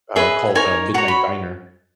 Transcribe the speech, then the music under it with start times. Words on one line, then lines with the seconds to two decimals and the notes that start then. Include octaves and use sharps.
uh, called, uh, Midnight Diner,
0.16 G#4 B4 D#5 E5
0.55 D#4 A#4 C#5 G#5
0.94 F#4 C#5 A#5
1.08 B5